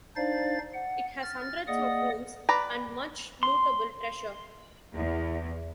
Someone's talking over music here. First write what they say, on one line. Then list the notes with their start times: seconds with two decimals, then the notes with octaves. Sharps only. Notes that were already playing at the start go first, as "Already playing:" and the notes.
It has hundreds of rooms and much lootable treasure.
0.16 D4 D#4 C5 D5 F5 A6
0.73 F#5
1.22 F6 A6
1.67 A#3 G#4 D5 D#5 F#5 D#6
2.49 B4 D5 A#5
3.43 C6
4.95 E2